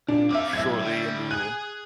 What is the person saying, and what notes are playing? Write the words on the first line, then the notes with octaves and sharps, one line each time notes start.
shortly into
A#2 D4
C4 E5 F5 D6
B1 A2 E5 G#6
D3 G3
G#4 G#5 F#6